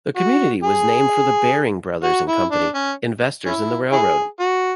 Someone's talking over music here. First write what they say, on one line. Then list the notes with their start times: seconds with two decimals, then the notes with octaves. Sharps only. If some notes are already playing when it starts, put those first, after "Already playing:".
The community was named for the Baring Brothers and Company, investors in the railroad.
0.16 F#4
0.63 G#4
2.04 F#4
2.28 E4
2.51 D4
2.75 C#4
3.46 C#4 E4
3.92 E4 G#4
4.40 F#4